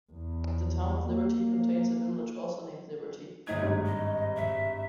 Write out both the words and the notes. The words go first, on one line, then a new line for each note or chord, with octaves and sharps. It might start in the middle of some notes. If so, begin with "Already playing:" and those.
The Town of Liberty contains a village also named Liberty.
E2
A#3
G1 A3 D#4 G#6
G#1 G2
D#5
E5